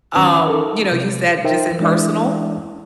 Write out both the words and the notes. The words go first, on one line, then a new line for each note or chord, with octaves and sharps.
um, you know, use that just in personal?
D#3 C#4 B4 D6
D#4 A4 A#4
C3
D#4 A#4 C5 E5 G5
E3 G#3 D4 E4 D5 E5